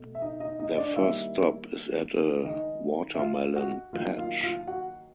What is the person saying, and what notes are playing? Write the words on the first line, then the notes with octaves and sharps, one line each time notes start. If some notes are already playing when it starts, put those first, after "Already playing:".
Their first stop is at a watermelon patch.
Already playing: B2 A3
E5
D#4 D#5
D#4 D#5
D#4 D#5
D4 D5
D#3 G3 A#3 E4 E5
D#3 G#3 D#4 D#5
E5
F4 F5
F#4 F#5
D#3 F#3 A#3 F4 F5
F4 F5
F4 F5
F#4 F#5